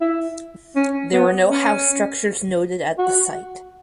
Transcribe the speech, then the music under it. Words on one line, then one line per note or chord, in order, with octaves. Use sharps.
There were no house structures noted at the site.
E4
C#4
B3
C#4
F#4